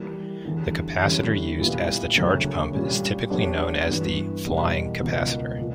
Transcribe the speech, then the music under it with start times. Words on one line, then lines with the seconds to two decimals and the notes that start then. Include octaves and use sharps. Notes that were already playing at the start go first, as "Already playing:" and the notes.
The capacitor used as the charge pump is typically known as the "flying capacitor".
Already playing: E3 G3 A#3
0.45 E2 D3 G3
1.01 E2 D3 G3 C#4 E4
1.59 A#2 G3 B3 E4
2.15 D2 C#3 F#3 A#3 C#4
2.73 A#2 G3 C#4
3.30 F#3 B3 D4 G4 C#5
3.87 G2 E3 B3 F#4 B4
4.44 E2 B2 G3 A#3
5.01 C#2 B2 A#3
5.58 A#2